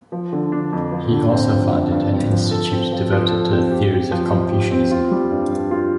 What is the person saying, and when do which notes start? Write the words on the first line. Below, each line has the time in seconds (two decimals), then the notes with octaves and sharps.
He also founded an institute devoted to the theories of Confucianism.
0.12 F3
0.33 D3
0.52 D4
0.72 F2
0.92 F3
1.12 D3
1.32 C4
1.52 F3
1.72 G2
1.92 G2
2.12 C4
2.32 F3
2.51 A4
2.71 C4
2.92 F3
3.12 F3
3.31 A4
3.51 C4
3.71 G4
3.92 C4
4.11 F3
4.32 F3
4.51 G4
4.71 C4
4.91 F4
5.11 G3
5.31 G2
5.51 G2
5.71 F4